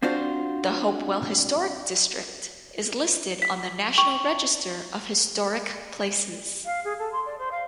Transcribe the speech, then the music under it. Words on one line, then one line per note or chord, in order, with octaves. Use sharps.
The Hopewell Historic District is listed on the National Register of Historic Places.
C4 D4 F4 F#4 C5
B6
G5 C#6
F5
G#4
A4
C6
D5
C5
F5